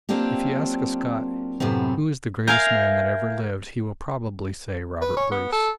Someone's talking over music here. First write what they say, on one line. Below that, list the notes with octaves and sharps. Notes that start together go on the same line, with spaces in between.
If you ask a Scot who is the greatest man that ever lived he will probably say Robert Bruce.
F#3 A#3 C4 D4 F4 G4
F#2 A2 C3 B3 C4
F4 G#4 A#4 E5 F5 G6 G#6
B4
C#5
B3
A4